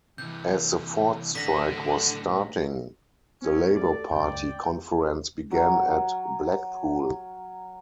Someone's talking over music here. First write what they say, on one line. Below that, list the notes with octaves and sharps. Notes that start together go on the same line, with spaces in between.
As the Ford strike was starting, the Labour Party conference began at Blackpool.
C3 E3 G6
A2 D3 D4 F#5 A#6 B6
C4 C#4
A3 D5
C#2 F#2 D5 G5
F#3 A#4